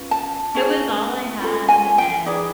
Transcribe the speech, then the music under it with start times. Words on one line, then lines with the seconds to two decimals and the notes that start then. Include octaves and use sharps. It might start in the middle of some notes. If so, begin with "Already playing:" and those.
It was all I had, and
Already playing: C#4 F4 B4
0.11 A5
0.55 C#4 F4 G#4
1.41 C#4 F4 A4
1.69 G#5
1.98 G5
2.26 D#4 G#4 B4 D5